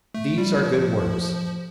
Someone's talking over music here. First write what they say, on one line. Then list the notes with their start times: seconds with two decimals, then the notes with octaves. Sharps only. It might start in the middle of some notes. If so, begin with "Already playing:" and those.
These are good works.
0.14 A3
0.38 G3
0.63 F3